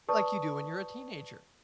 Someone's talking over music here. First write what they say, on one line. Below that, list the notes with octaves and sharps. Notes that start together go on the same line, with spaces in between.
Like, you do when you're a teenager.
B4 D5 A5 C#6 D#6